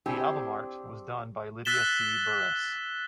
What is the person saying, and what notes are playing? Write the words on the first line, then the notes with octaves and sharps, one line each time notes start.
The album art was done by Lydia C. Burris.
C4 D4 E4 G4 G#4 C5
E6 F#6 A6 B6 E7 G7